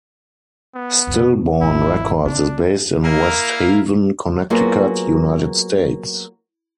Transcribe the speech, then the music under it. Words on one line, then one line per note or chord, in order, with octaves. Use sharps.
Stillborn Records is based in West Haven, Connecticut, United States.
B3
F2 C3
G#1 E3 E4
C4 D4
A#3 E4 A#4 F5
F#3 A#3 B3 F4 F#4 G#4